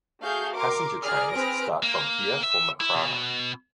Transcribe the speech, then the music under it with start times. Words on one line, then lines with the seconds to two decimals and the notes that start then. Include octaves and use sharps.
Passenger trains start from here for Makrana.
0.22 A3 F#4 G#4 F5 G6
0.54 A#4 C6 D6
1.02 G#4 D5 A#5 F6
1.32 C4 G#4 B4 F6 A#6 D7
1.83 A#3
2.43 E5
2.80 E4
2.95 B2